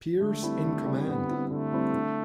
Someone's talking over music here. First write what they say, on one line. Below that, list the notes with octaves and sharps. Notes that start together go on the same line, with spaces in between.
Pierce in command.
D3 A3
G3 C4 E4
D3
G3 C4 E4
D3 B3
G3 C4 E4
D3 A3
G3 C4 E4
D3